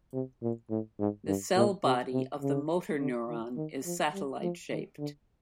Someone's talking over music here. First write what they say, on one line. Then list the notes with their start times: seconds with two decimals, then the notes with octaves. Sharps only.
The cell body of the motor neuron is satellite-shaped.
0.13 C3
0.42 A#2
0.70 A2
0.99 G#2
1.27 G2
1.56 A#2
1.84 C3
2.13 C3
2.41 C#3
2.99 D3
3.28 D#3
3.56 D#3
3.85 F3
4.13 G3
4.42 F3
4.71 D#3
4.98 D3